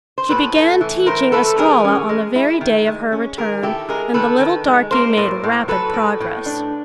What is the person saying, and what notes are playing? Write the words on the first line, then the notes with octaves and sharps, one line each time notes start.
She began teaching Estralla on the very day of her return, and the little darky made rapid progress.
C5
A2 A4 B4
A3
E3
A2 A#4 C5
A3 A4 B4
E3 G#4 A#4
C#4
G#3
E4
D#3
G#3
C#4
D#3 G#4 A#4
E4 G4 A4
G#3 G#4 A#4
D#3 A4 B4
D#3
G#3
A#3 A#4 C5
A2
A2
F#3 A4 B4
A2
A2
D4